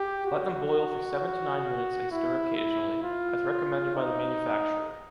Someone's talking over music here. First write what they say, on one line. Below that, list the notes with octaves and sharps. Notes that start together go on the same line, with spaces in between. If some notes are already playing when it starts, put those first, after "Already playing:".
Let them boil for seven to nine minutes and stir occasionally, as recommended by the manufacturer.
Already playing: G4
F#4
E4
E4
F4
D#4